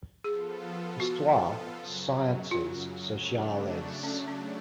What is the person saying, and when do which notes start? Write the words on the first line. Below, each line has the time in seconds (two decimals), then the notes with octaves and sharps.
Histoire, Sciences Sociales.
0.24 F3 B3 F4 G#4 A4
1.00 F#4
1.75 F#2 C#3 F#3
2.51 F4
3.27 C#3 F#3 A3 D4
4.03 C#4
4.28 C#4